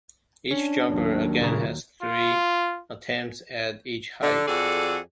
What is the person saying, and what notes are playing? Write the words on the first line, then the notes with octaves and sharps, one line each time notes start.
Each jumper again had three attempts at each height.
C#4 D4
D#2 D#3 F#3
A#2 C#3 A#4
F4
D3
F2 F#4 G#4 A4 D5